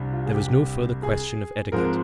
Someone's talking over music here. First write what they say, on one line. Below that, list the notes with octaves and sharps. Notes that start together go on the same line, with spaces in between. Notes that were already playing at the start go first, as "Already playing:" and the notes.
There was no further question of etiquette.
Already playing: C2 C3 G3 D4
F4
G#4
G4
G#4
G#2 F3 G#3 C4 A#4